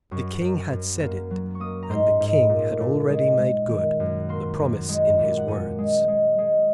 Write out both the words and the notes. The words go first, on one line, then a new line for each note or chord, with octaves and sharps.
The King had said it, and the King had already made good the promise in his words.
F#2 C#6
F#2
F#2
A#3
F#3
C#6
A#3 D#6
A#5
G#2 C6
G#2
A#2
A#2
G#3
G#3
D#3
F#2
A#3 C6
F#2
G#3
A#2
F#5
A#2 G#5
G#3
G#3
G#3